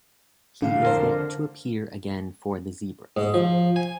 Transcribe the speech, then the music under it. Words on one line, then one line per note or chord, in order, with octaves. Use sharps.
He is yet to appear again for the Zebras.
A2 D3 F5
F2 F4 A#4 C5
G#2
F3
G#5